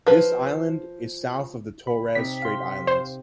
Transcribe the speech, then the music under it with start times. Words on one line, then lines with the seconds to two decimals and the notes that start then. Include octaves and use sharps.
This island is south of the Torres Strait Islands.
0.06 F3 B4
1.87 B5
2.15 C3 D#4 B6
2.42 F5 C6
2.87 C5